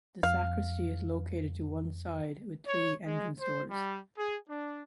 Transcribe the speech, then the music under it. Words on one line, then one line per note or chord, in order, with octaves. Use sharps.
The sacristy is located to one side with three entrance doors.
F2 F5
C#5
G#3
C5
G3
G#4
D4